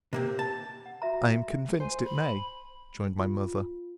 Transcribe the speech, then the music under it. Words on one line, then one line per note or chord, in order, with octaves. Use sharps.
I am convinced it may, joined my mother.
C3 A#3 C4
A5
F#5
F#4 E5 A#5
C5 G#5
B5
F4